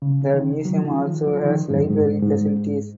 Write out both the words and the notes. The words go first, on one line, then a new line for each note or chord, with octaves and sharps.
The museum also has library facilities.
C#3
C#3
D#3
F#3
F3
D#3
F3
F3
D#3
G#2
F#2
G#2
G#2